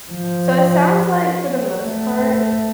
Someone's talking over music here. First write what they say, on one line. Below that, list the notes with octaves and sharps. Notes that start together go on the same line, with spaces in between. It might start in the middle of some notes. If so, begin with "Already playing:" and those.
So it sounds like, for the most part,
F3
A3